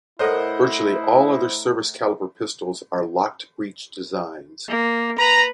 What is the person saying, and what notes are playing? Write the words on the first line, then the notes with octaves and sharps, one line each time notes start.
Virtually all other service-caliber pistols are locked-breech designs.
A2 E4 A4 A#4 C5 C#5 D#5 F#5
A#3
B4 A#5